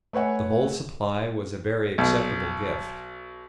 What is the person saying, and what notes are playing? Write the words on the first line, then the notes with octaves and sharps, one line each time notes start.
The whole supply was a very acceptable gift.
A3 B4 C#5 F#5 G#5
B1